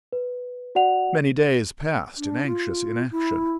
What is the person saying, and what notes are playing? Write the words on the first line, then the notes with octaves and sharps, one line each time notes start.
Many days passed in anxious inaction.
B4
F#4 D5 F#5 F7
D4
F4
E4